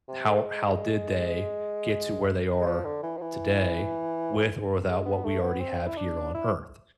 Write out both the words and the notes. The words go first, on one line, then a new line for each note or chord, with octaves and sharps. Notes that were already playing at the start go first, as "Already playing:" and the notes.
how ar how did they get to where they are today with or without what we already have here on Earth?
C3
A3
G#3
G#3
F3
D3
E3
F3
E3
G#3
B3
A3
B3
C4
E4
D4
E4